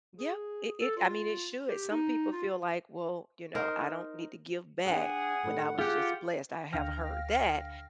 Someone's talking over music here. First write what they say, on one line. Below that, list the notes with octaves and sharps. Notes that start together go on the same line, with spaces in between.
Yep. It it I mean, it should, some people feel like, "Well, you know, I don't need to give back, when I was just blessed," I have heard that,
G#4
A4
F4
G4
D#4
F4
D#4 A#4 C5
D4 G#4 F#5 G5
A2 D3 G4
F4 G4 G#4 F#5
D2 D3 F5 G5 F6 A#6